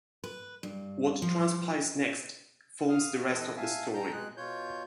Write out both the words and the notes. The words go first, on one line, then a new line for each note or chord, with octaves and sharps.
What transpires next forms the rest of the story.
B4
G2
F3
F5 D#6 F6
E3 B3 C4 A4 B4 D#5
E5 F5 G#5 A5
G5 A5 A#5 G6
B2 G#3 G#4 F#6
B2 F4 C#5 G6